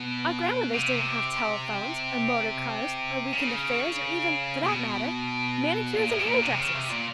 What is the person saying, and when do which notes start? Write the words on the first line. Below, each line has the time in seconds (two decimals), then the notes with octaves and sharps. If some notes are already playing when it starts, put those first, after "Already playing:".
Our grandmothers didn't have telephones, or motor-cars, or week-end affairs, or even--for that matter--manicures and hair-dressers!
Already playing: B2
0.73 C3
3.33 C#3
4.63 B2
5.93 A#2
6.09 A2
6.18 B2
6.26 A#2
6.42 C3
6.59 C#3
6.75 C3
6.90 A#2